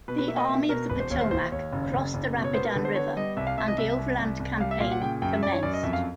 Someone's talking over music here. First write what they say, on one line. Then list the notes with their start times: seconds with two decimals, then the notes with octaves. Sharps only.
The Army of the Potomac crossed the Rapidan River and the Overland Campaign commenced.
0.08 B2 B4
0.18 B4
0.28 A#3 E5
0.38 D#5
0.49 B2 E5
0.69 B2 A#4
0.89 E1 B4
1.00 C5
1.10 D#2 C#5
1.21 C5
1.31 D#2 C5
1.52 D#2 C#5
1.72 F#1
1.93 F#1
2.14 F#1
2.34 B2
2.44 C#5
2.54 B3 C5
2.64 A#4
2.75 D3 B4
2.85 C5
2.95 B3 C#5
3.16 G3 D#5
3.37 C2 E5
3.47 F5
3.58 C2 E5
3.68 D#5
3.78 C2 E5
3.98 C2
4.19 C2
4.40 C2
4.60 G3 F5
4.71 E5
4.80 A#2 F5
4.91 F#5
5.02 C#3 G5
5.22 F#2 G5
5.33 E5
5.43 F#2 D5
5.53 C#5
5.63 F#2 D5
5.73 D#5
5.83 F2 E5
5.93 F5